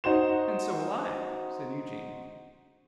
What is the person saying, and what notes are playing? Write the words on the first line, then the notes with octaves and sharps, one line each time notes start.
'And so will I,' said Eugene.
D#4 F#4 C5 E7